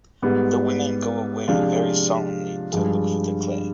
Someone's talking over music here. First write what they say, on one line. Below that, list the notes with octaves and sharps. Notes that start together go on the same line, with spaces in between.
The women go away very solemnly to look for the clay.
G#2 G3 B3
C3 F3 G#3 D4 F4
G2 F3 G#3